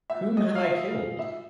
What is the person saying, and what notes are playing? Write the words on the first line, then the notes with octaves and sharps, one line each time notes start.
Whom have I killed?
E5
D#5
F5
E5
F5
E5